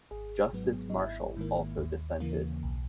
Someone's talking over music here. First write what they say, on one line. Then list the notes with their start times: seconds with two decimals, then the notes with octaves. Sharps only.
Justice Marshall also dissented.
0.11 G#1 G#4
0.53 G#2 F#3 B3
0.90 D#4
0.95 G#1 E4
1.37 G#2 D#3 A#3
1.78 D#2
2.20 C#3 E3 A#3
2.63 B1